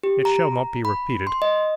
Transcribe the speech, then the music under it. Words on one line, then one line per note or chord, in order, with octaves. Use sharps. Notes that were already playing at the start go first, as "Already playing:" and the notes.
'It shall not be repeated.
G4
A#5
B5
C6
D#5